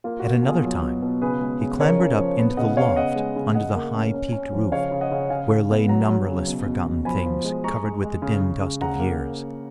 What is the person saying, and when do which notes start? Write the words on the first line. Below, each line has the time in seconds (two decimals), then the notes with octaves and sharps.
At another time he clambered up into the loft under the high peaked roof, where lay numberless forgotten things covered with the dim dust of years.
0.04 A#3 F4
0.20 A#3 F#4
0.34 F#4
0.43 B2
0.48 F4 G#4
0.64 F#3
0.82 B2
1.03 B2
1.22 C#3 G#4 B4
1.41 G#3
1.61 C#3
1.80 C#3 A#4 C#5
1.99 C#3
2.19 F3
2.39 B3
2.57 C#3 D#5 F#5
2.77 B3 C#5 F5
2.96 C#3 D#5 F#5
3.16 G#3
3.36 C#3
3.55 C#3 D#5 F#5
3.75 A#3
3.95 C#4
4.14 C#4
4.32 C#4
4.53 F3
4.72 C#3 C#5 F5
4.91 C#3
5.01 D#5 F#5
5.11 C#3
5.30 C#3 F5 G#5
5.50 C#3
5.70 B3
5.88 F#3 F#5 A#5
6.08 F#3
6.27 C#3
6.48 B2
6.66 B2
6.87 B2
7.05 F3 G#5 B5
7.25 F3
7.44 G#3
7.64 G#3 A#5 C#6
7.84 G#3
8.03 G#3
8.22 C#3
8.41 C#3
8.61 C#3
8.81 C#3 F#5 A#5
9.00 A#3